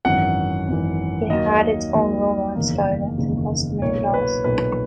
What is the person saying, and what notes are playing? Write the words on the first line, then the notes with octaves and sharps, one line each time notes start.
It had its own Romance dialect and customary laws.
G#1 F#2 E3 F#5
G#1 F#2 E3
D#2 D#3 F#3 A#3 D#5
D#2 D#3 F#3 A#3
F#1 E2 D#3 A#3
F#1 E2 D#3 A#3
B1 A#2 A#3 C#5
B4
B1 A#2 A#3 B4